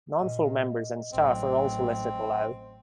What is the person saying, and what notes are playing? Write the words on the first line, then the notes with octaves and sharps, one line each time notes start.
Non-full members and staff are also listed below.
A#2 D#5
A1 F#3 C4